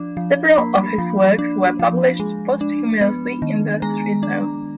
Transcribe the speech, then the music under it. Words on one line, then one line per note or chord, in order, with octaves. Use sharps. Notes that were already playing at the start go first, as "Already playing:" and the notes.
Several of his works were published posthumously in "The Three Tales".
Already playing: F3 D4
F3
A#3 B5
F3
D4
F3
G#3
D4
B3
D#3
G#3 A#5
D4